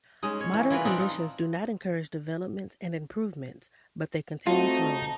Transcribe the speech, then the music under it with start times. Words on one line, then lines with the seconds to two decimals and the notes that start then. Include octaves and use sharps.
Modern conditions do not encourage developments and improvements, but they continue slowly.
0.23 G#3 C#4 D#4
0.41 C#5
0.53 E3
0.70 E3 F4 A#4 B4
0.85 C4 D4 D#4
1.00 D#4 F4
4.47 A3 C4 D#4 F4 F#4 A5